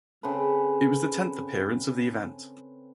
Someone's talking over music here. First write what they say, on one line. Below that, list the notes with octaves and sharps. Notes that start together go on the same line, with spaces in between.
It was the tenth appearance of the event.
C#3 C4 A4 B4